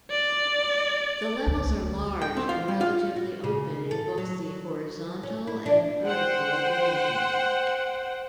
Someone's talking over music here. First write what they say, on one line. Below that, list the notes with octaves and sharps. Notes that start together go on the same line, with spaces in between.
The levels are large and relatively open in both the horizontal and vertical dimensions.
D5
D2
G5
C4
F4
G3
F4
F#4
C#3
A4
F#3
C#4
E4
D4
C5 F#5 G5